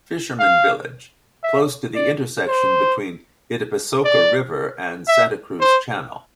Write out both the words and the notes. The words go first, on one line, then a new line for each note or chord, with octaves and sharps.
Fishermen village, close to the intersection between Itapessoca River and Santa Cruz channel.
F5
E5
D5
C5
D5
E5
C5